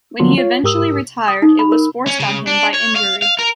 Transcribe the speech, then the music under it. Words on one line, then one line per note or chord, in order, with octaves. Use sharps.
When he eventually retired, it was forced on him by injury.
D3 F3 F#3 A#3 C6
F4 C#5
G#2 G4 A#4 D#6 E6
D#6
D#4
B5
A#4
C#4
C#3
D4
C#5
F5
F5
A#4